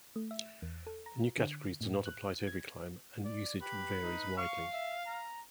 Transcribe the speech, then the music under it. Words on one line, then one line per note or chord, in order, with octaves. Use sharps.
The new categories do not apply to every climb and usage varies widely.
A3
E5
E2
A4
A#5
D3
A2
F#6
G#6
D5
G4 B4
D#4
F5 C#6
E5
A#5